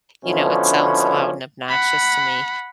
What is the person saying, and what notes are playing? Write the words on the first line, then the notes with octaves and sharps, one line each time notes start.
you know, it sounds loud and obnoxious to me,
B2 D3 F3 C#4 D4 E4
F#5 B5